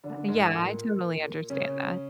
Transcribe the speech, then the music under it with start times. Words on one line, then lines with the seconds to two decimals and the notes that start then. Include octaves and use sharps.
Yea Yeah I totally understand that.
0.04 D3 D4
0.16 D3 D4
0.28 G#2 G#3
0.40 A2 A3
0.52 A#2 A#3
1.50 C#3 C#4